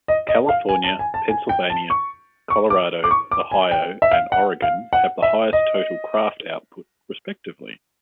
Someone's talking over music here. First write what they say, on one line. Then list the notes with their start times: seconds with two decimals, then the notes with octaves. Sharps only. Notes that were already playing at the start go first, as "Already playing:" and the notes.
California, Pennsylvania, Colorado, Ohio and Oregon have the highest total craft output, respectively.
0.08 D#5
0.29 D#5
0.49 F5
0.69 G#5
0.84 A5
0.99 G#5
1.14 A5
1.29 G#5
1.49 G5
1.70 A5
1.90 C#6
2.50 C#6
2.70 D6
3.04 D6
3.11 C#6
3.31 D6
3.51 G#5
3.71 G5
4.02 E5
4.12 F5
4.32 F#5
4.62 F5
4.93 F#5
5.22 E5
5.53 D#5